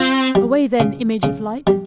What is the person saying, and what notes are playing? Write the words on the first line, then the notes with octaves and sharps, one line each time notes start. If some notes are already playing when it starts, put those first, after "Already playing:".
Away, then, image of light!
Already playing: C4 F4
G3
C#3
C#3
G3